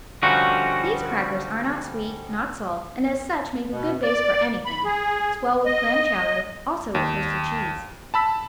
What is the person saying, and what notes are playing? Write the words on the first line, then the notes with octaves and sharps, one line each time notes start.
These crackers are not sweet, not salt, and as such make a good base for anything--swell with clam chowder, also with toasted cheese....
D3 F3 G3 C#4 D#4 F#4
B2
D5
B5
G#4
D#5
D#2
A5 B5 E6 B6